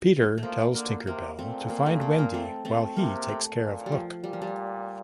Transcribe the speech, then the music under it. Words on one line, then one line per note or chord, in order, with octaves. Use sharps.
Peter tells Tinker Bell to find Wendy while he takes care of Hook.
A3
F3 A#3
D3 A#3
C3 A#3
A#2 A3 C4
A#3
A3
A#3
A#3
A3 C4
A3 C4
C3 A#3
A3
A#2
G3
F3
A#2 G3
F3
G3